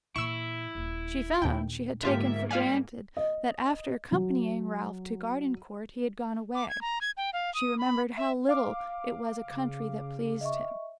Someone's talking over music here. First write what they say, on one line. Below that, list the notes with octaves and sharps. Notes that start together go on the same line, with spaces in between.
She found she had taken for granted that after accompanying Ralph to Gardencourt he had gone away; she remembered how little it was a country that pleased him.
A#2 E3 E4 C#6 E6
D#1 A#3
D#2 A#2 D4 G5
G#2 D3 A#3 F4 G4 E5
G3 F4 F5 G#5
D#5
F#3
D6
G#6
A#5
G#6
G5
F5
D#6
B5
E5
F5 D6
C#3
D#5 E5 C#6